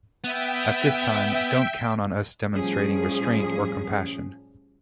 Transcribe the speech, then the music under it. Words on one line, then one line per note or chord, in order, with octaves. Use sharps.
At this time, don't count on us demonstrating restraint or compassion.
B3 E5 G5
A2 F3 G3 C#4 G#4